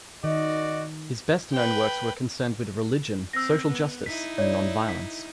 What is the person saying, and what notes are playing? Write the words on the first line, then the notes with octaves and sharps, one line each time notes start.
His best-known works were concerned with religion, social justice and nonviolence.
D#3 F#4 D5 D#5
B4 G5
C4 E6 A#6
B3
D#4 E4 B6
C#5 D5
B6